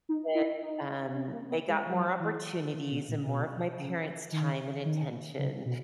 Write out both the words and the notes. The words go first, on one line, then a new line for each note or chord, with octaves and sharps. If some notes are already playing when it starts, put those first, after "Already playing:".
that, um, they got more opportunities and more of my parents' time and attention,
D#4
E4
D#4
C#4
A#3
B3
G#3
F#3
E3
D#3
B2
A#2
B2
C#3
D#3
D#3
C#3
B2